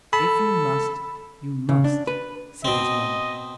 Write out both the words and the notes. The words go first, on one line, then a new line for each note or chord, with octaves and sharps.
"If you must, you must," said his mother.
A4 B5
C#3
D4
B4
B2 C4 D#5